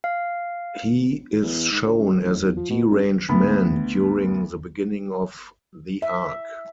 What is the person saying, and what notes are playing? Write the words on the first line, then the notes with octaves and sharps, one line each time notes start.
He is shown as a deranged man during the beginning of the arc.
F5
E2
G#2
D2
F#2
A1
D#2
F3
B2
F#2
D2 B3 B5
E5